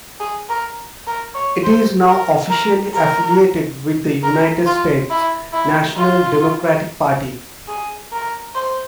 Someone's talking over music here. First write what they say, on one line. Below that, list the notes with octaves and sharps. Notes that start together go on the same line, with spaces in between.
It is now officially affiliated with the United States' national Democratic Party.
G#4
A#4
A#4
C#5
C5
A#4
A#4
A#4
A#4
F4
E4
E4
F4
G#4
A#4
C5